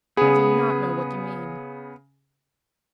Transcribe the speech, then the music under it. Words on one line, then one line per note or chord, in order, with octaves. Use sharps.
"I do not know what you mean."
C#3 B3 G#4